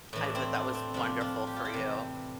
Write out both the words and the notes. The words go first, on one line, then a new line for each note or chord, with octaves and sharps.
I bet that was wonderful for you.
A2 E3 D4
C4 E4
D4
C4
C3 F3 D4
D4 F4
G4
F4
E4 G4
C3 E3